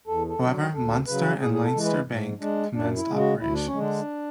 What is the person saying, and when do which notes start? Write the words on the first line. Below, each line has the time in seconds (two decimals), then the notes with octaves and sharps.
However, Munster and Leinster Bank commenced operations.
0.07 E2 A4
0.29 A4
0.40 D3 F#3
0.74 D2 A4
1.07 C#3 F#3 B4
1.41 A2 G#4
1.53 G#4
1.63 A4
1.74 E3 G#3
1.85 B4
2.07 G#2
2.41 G#3 D4
2.74 F#2 D4
2.96 E4
3.08 C#3 G#3
3.18 F#4
3.40 D2 E4
3.54 D4
3.66 C#4
3.74 D3 G#3 D4